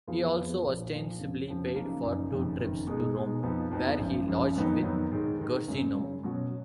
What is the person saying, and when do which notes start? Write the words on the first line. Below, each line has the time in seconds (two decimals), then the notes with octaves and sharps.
He also ostensibily paid for two trips to Rome, where he lodged with Guercino.
0.07 F2 F3 B3 F4 G#4
0.35 F2 F3 B3 F4 G#4
0.62 A#1 A#2 F3
0.91 A#1 A#2 F3
1.19 F2 C#3 F3
1.48 F2 C#3 F3
1.75 F#1 F#2 F3 A#3 D#4
2.03 F#1 F#2 F3 A#3 D#4
2.31 F#1 F2 D#3
2.59 F#1 F2 D#3
2.87 B2 G#3 D#4 G#4
3.16 B2 G#3 D#4 G#4
3.43 F2 F3 B3 D#4
3.71 F2 F3 B3 D#4
3.99 G#1 F#2 F3
4.27 G#1 F#2 F3
4.55 F2 D#3 F#3 B3 D#4
4.83 F2 D#3 F#3 B3 D#4
5.12 G#2 D#3 G#3
5.39 G#2 D#3 G#3
5.68 F#2 C#3 F#3
5.95 F#2 C#3 F#3
6.23 B2 F#3 C#4 F#4